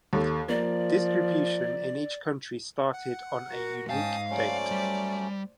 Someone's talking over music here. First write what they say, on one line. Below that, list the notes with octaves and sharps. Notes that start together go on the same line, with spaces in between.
Distribution in each country started on a unique date.
D#2 A4
F3 A#3 D5
F#5
F#4 A#4
G#2 C#4 F5 G5 A5 D#6
F#3 A3 C#4 C5 D5
G3